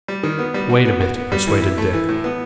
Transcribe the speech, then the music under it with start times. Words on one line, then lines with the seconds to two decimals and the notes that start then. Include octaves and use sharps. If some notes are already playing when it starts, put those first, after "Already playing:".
"Wait a bit," persuaded Dick.
0.08 G3
0.23 D#3
0.39 B3
0.54 G3
0.70 F#4
0.85 B3
1.01 F#4
1.16 B3
1.32 G3
1.47 E3
1.62 E4
1.78 A3
1.93 E3
2.09 A2
2.24 B3